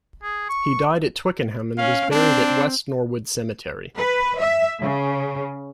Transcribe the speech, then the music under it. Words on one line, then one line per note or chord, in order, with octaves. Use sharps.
He died at Twickenham and was buried at West Norwood Cemetery.
G#4
C#6
C#4 F5
C4 D4
B4
E5
C#3